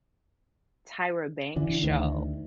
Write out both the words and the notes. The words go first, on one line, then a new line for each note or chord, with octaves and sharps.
Tyra Banks' show
D3 E3
D2 D#3